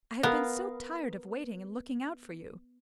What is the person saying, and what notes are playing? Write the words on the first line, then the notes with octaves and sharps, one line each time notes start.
I have been so tired of waiting and looking out for you.
B3 A#4 F5